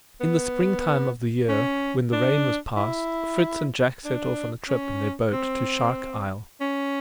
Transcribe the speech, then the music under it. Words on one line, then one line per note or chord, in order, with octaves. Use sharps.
IN the spring time of the year, when the rain was past, Fritz and Jack set off on a trip in their boat to Shark Isle.
B3
C#4
D4
E4
D4
C#4
C4
C#4